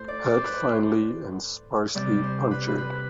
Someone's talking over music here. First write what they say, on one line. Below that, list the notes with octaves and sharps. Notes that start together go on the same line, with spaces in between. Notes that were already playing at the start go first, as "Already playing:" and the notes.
Head finely and sparsely punctured.
Already playing: A2 E4 C5
D5
D5
C5
B4
C5
C3 G3 C4 D5
C5
B4
C5
B4
B4